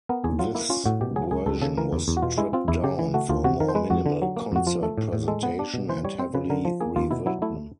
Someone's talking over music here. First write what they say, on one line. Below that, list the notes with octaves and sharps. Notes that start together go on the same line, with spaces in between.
This version was stripped down for a more minimal "concert" presentation and heavily rewritten.
B3 A#4
E2 G#4
F#3 F4
A#3 E4
C#4 F4
A2 F#4
B2 G4
F#3 G#4
C#2 G#4
C#2 A4
C#3 A4
E3 A#4
E2
E2
F#4
B2 F4
G#3 E4
C4 F4
E2 E4
C#3 G4
E3
A3 F#4
D2 F4
C3 F#4
D#3 A#4
C5
G#3 B4
F2 F#4
D3
F#3
A#3
F2 F#4
F3 F4
A3 A4
A2
A2
G#3 A4
B3 B4
D4
B2
E3 C5
G3 C#5
C4 C5
C#3 B4
D3 A#4
F3
A#3 G#4
D#2 F4
B2 E4
F#3 E4
A3 E4